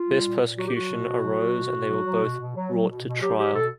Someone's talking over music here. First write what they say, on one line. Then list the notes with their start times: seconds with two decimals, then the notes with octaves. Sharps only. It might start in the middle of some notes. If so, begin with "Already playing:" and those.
A fierce persecution arose, and they were both brought to trial.
Already playing: F4
0.08 G3
0.25 A#2
0.42 A#2
0.58 F#3 F#4
0.65 G4
0.74 F#3 F#4
0.91 B2
1.07 B2
1.24 F#3
1.40 F#3
1.57 B2
1.74 B2
1.90 F#3
2.06 F#3
2.23 B2
2.40 B2
2.56 F#3
2.73 F#3
2.89 B2
3.06 B2
3.22 F#3 G4
3.39 F#3 G4
3.55 B2 A4